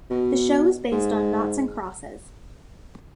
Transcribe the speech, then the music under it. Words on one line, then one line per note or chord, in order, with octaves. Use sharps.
The show is based on noughts and crosses.
B2
G#2